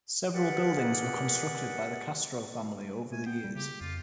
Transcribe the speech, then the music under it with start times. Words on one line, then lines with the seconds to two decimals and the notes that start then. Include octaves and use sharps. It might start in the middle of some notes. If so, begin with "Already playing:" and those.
Several buildings were constructed by the Castro family over the years.
0.35 G4 G#4 A#4 B4 D5 F#5
3.12 A3 G#5
3.26 B3 G5
3.44 G3
3.56 C#3 G4
3.81 F2 F4